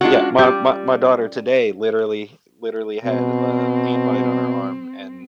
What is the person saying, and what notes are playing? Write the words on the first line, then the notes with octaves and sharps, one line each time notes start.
yeah, my my my daughter today literally literally had a ant bite on her arm, and
G#3 C#4 D4 F4 F#4
G3 G4
B2 C4